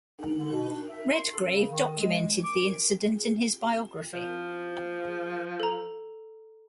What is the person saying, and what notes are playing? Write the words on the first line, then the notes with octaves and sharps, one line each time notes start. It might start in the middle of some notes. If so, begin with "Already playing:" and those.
Redgrave documented the incident in his biography.
D3
B2
D4
E5
C6
A4
C#3
D#3
G#3
D6
F3
A4 A#5